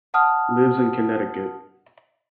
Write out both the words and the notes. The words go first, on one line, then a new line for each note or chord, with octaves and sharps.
Lives in Connecticut.
F#5 A5 D#6 F6